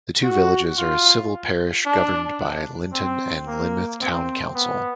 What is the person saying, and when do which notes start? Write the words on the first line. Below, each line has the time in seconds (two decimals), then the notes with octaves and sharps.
The two villages are a civil parish governed by Lynton and Lynmouth Town Council.
0.23 F#4
0.78 F4
1.85 D4
2.93 C4
3.47 A#3
4.01 C4
4.55 B3